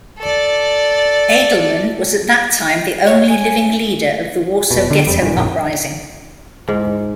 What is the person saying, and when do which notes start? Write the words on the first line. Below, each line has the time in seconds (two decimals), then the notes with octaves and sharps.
Edelman was at that time the only living leader of the Warsaw Ghetto Uprising.
0.19 A4 D5
3.06 C#5
3.29 G#5
4.71 F1 B2
4.91 D3 D4
5.06 E1 F2 G3
5.20 E1 G2 E3
5.36 A#1 F#2 D#3
6.68 G#2